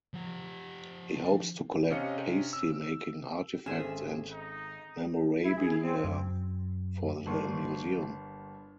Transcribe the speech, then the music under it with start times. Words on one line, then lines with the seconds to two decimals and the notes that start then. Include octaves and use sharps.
He hopes to collect pasty-making artifacts and memorabilia for the museum.
0.14 F3 F#5
1.90 C3 C#4 D#5 F5 C#7
2.53 E6
3.66 G#1 C#4 G#4 A4 C5 E5
4.32 D#4
5.44 E4
5.57 G#4
5.83 C4
6.04 F#2
7.26 G1 G3 A#3 C6 C#6